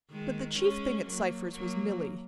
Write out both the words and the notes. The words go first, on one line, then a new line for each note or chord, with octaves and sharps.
But the chief thing at Cypher's was Milly.
D#3 G#3
G#3 C#4
F#3 A#3
F#3 A#3